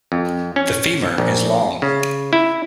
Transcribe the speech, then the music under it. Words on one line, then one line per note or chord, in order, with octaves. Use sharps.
The femur is long.
F2
C#4
A#1
C#3
E4